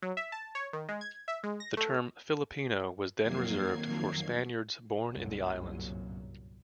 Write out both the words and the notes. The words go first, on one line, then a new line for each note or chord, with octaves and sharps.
The term "Filipino" was then reserved for Spaniards born in the islands.
F#3
E5
A5
C#5
D#3
G#3
G#6
E5
G#3
A#6
A3
F2 D#3 F#3 A#3 G#6 C7
G1 C2 F#2 A#2 F#3